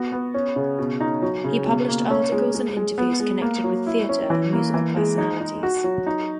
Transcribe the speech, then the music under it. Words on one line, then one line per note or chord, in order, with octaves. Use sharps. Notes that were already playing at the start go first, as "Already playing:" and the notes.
He published articles and interviews connected with theatre and musical personalities.
Already playing: B3 F#4
B3
C#4
C#3
B2
D#4
F#3
C#3
B2
A#3
C#4
G#3
G#3
G#3
B3
G#3
A#3
F#3
E4
C#4
E3
A#3
E3
G#3
D#4
D#4
F#4
F#3
D#4